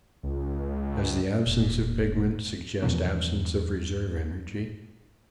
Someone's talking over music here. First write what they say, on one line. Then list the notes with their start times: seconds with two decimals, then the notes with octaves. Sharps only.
Does the absence of pigment suggest absence of reserve energy?
0.23 C#2
1.47 E1 A#2
2.82 E2 B2 F3 C#4